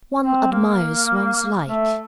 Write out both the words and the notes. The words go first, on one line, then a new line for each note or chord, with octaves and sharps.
One admires one's like.
C4
A#3
A3